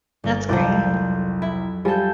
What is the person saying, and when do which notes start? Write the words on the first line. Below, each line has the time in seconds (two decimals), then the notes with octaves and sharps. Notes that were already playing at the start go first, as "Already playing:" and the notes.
That's great.
0.24 G1 A6
0.49 C2 F2 F3 F#3 D5 G6
1.42 E4
1.85 F3 G3 A4 G#5 G6